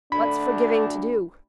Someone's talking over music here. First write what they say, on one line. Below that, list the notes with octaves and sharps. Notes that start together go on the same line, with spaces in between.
What's forgiving to do?
D2 D4 B5